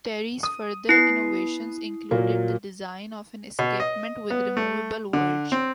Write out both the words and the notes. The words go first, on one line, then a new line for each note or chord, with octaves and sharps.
Terry's further innovations included the design of an escapement with removable verge.
D#6
B3 E4 C7
A#2 F#3 A#3
B2
D#5
B3
A3
D3
C4